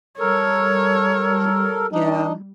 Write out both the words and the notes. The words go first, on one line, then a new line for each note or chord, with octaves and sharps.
Y yeah.
G3 A4 A#4 C#5
D4 D#4 D#5